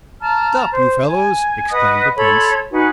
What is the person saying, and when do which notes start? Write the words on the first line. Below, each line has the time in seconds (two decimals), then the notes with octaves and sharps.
"Stop, you fellows!" exclaimed the prince.
0.21 A5 A#5 F6
0.70 C5
1.05 G#5
1.70 B4 D#5 F#5 D#6
2.16 A4 C#5 B5 C6
2.70 D#4 F#4 B4 G#5